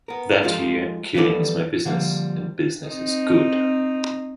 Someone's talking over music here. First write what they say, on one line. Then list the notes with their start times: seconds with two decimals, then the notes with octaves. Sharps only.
That year, Killing Is My Business... and Business Is Good!
0.08 B3 A#4
0.43 F3 G#3 A3 D#4 F4 G4
1.15 E3 F3 G3 B3 A4 D5
1.85 D3 F3 G3 A#3
2.85 C4 D#4